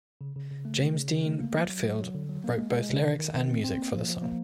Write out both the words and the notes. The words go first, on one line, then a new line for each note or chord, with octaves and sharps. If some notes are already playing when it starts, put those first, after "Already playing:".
James Dean Bradfield wrote both lyrics and music for the song.
C#3
C#3
C#3
A3
C#3
C#3
C#3
A3
A#3
F#3
F#3
F#3
F#3
D3
F#3
A#3
G#3
G#3
C3
D#3
D#3
D#3
C4
C4
A#3
F3
F3
A#3